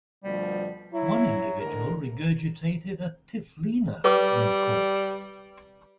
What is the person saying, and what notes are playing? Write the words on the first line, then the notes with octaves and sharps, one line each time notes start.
One individual regurgitated a "Typhlina" when caught.
D2 B2 F3 G3
F#3 E4
D2 G#2 D3 A#4
G3 B4 D6